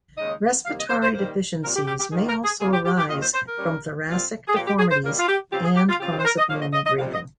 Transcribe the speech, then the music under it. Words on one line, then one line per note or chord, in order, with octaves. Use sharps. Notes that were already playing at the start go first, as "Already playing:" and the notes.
Respiratory deficiencies may also arise from thoracic deformities and cause abnormal breathing.
D#2 C#3 G#3 D#4 D#5
C3 D#3 G3 A#3 F5
D#5
C5
C5
D#3 G3 A#3 C5
A#2 G3 C4 F4 A#4
G4
G4
G4
D#3 A#3 F4 G#4
A#4
G#4
C3 G3 A#3 F4 G#4
G4
G4
G4
D#2 D#3 A#3 F4 D#5
C5
C5
A#4
G2 G3 A#3 C#4
A#2 G3 C4 F4
G#4
A#2 F3 A#3 G4
G4
G#4
C5
D#2 C#3 G3 A#3 F4 A#4
F4
G4
C#3 F3 C4 F4 G4
G#4
G4
F4
C#3 F3 C4 F4 G4
G4
C5
A#4
D#5
D#2 C#3 F3 A#3 F5
D#5
D#5
D#5
F2 C3 G3 F5
D#5